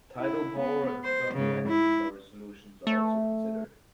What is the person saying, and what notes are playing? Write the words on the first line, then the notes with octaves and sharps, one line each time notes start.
Tidal power and Thermal energy storage solutions are also considered.
E4
B3
C5
G#2 C#3
E4
A3